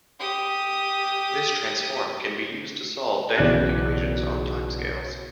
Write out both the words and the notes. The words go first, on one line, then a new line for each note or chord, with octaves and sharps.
This transform can be used to solve dynamic equations on time scales.
G4 D#6
B1 C#3 E3 B3 D5 F#6